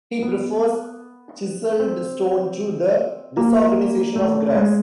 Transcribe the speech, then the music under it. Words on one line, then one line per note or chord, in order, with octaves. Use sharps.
He prefers chiselled stone to the disorganization of grass.
B3
C4
A#3
A3
G#3